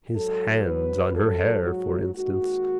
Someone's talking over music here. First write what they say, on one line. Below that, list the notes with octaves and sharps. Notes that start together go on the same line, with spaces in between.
His hands on her hair, for instance.
G#2 F#3 A4
B4
A4
F#4
D#2 D#3 G#3 F#4